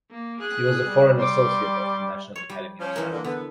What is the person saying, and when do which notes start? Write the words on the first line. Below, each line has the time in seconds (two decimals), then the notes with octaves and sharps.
He was a foreign associate of the National Academy of Sciences.
0.11 A#3
0.40 G#4 F#6
0.84 G3
1.19 C6 D6
2.36 C#5
2.50 G3
2.80 F3 C#4
2.96 E3 A#4
3.12 A#2 D3
3.24 D3 B3